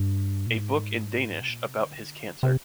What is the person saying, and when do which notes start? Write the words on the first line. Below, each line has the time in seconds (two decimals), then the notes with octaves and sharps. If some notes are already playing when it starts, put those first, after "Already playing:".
A book in Danish about his cancer.
Already playing: G2
0.46 A#2
0.56 G#2
1.41 C3
1.49 A#2
1.64 C3
1.80 D3
2.43 C3